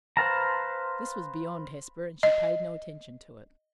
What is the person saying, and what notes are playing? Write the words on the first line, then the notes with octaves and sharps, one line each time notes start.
This was beyond Hesper, and she paid no attention to it.
B4 C5 F5 A5 A#5
D#5